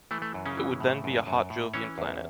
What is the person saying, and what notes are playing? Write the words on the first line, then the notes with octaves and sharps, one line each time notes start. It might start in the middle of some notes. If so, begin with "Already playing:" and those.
It would then be a hot Jovian planet.
E3 A3
A3
F#2
C#3 C#4
E3
A2
F#2
F#2
A2
E3 C#4 C#5
E2